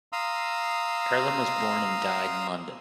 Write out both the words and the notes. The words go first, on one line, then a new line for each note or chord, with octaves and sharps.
Earlom was born and died in London.
F5 A#5 C6 D#6 E6